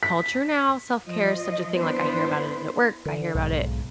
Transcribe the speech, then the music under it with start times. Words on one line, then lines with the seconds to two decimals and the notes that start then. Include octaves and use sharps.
culture now, self-care is such a thing, like, I hear about it at work, I hear about it
0.03 B6
1.05 F3 D#5
1.77 B3 D4 E4 B4 C5
3.05 D3
3.34 B1 G#2